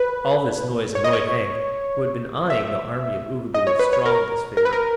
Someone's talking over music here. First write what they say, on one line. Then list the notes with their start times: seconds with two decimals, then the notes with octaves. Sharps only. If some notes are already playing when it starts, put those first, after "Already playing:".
All this noise annoyed Hank, who had been eyeing the Army of Oogaboo with strong disfavor.
Already playing: B4
0.95 C#5
1.04 D#5
1.13 C#5
2.50 E5
3.54 D#5
3.67 C#5
3.79 B4
3.93 C#5
4.06 A#4
4.57 A#4
4.65 B4
4.73 A#4